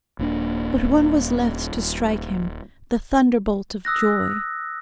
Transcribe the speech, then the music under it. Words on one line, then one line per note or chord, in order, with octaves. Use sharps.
But one was left to strike him--the thunderbolt of joy.
D#1 A#3 D4
D#6 E6 F#6 A#6